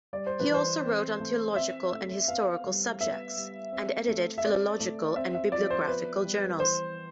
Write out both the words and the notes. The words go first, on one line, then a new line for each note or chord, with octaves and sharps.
He also wrote on theological and historical subjects, and edited philological and bibliographical journals.
G3 D5
C5
B4
E3
C5
C4
A3
C4 E5
A3
B3 F5
G3
B3 E5
G3
C4
A3
E5
C4 D5
A3
C4 E5
E5
F3 D5
C5
B3 B4
G3
E3 C5